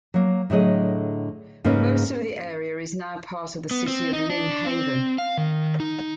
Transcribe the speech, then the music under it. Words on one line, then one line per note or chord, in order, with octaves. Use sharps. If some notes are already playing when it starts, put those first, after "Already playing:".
Most of the area is now part of the city of Lynn Haven.
F#3 A#3
A2 D3 F#3 G#4 D#5
G#2 C#3 A#3 C#4 D#4 B4
B3
C4
D#4
D4
C4
F5
D#3
D#4